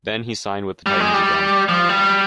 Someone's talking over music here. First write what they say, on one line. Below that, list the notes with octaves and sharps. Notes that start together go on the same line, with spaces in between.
Then, he signed with the Titans again.
G3
G#3
G3
F3
G3